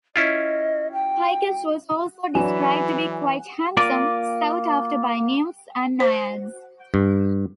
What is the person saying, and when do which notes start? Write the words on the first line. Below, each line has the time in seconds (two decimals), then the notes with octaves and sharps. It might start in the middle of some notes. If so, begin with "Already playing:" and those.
Picus was also described to be quite handsome, sought after by nymphs and naiads.
0.16 C#4 E4 F4 D#5
0.93 G5
2.35 E3 F#3 D4 B4 G#5
3.77 A#3 F4 D5
6.00 C5
6.94 G2